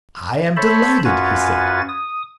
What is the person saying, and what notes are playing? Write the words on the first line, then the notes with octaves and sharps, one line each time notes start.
'I am delighted,' he said.
A4 C5 C#5 E5 A5 B5
F#2 F4 F#4 B4 G#5 A6
D#6